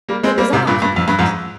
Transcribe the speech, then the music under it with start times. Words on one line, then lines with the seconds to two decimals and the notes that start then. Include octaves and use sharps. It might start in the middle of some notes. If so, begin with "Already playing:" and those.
It was unoccupied.
0.09 G3 A#3
0.23 G#3 C4
0.38 G3 A#3
0.53 G#2 C3
0.67 G2 A#2
0.82 G2
0.96 F2
1.08 G2
1.19 F2 G#2